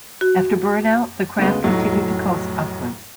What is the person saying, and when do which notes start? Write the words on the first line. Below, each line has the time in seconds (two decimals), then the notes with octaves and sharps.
After burn-out the craft continued to coast upwards.
0.21 F#4
1.38 D2 C#3 G#3 B3
1.64 F1 B1 A2 F#3